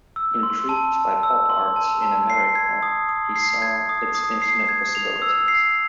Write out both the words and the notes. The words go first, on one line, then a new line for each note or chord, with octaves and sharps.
Intrigued by pop art in America, he saw its infinite possibilities.
E6
C6
A5
A5
E6
C6
A5
A5
C7
G#6
D#6
D#6
C7
G#6
D#6
D#6
C7
G#6
F7
E6
C7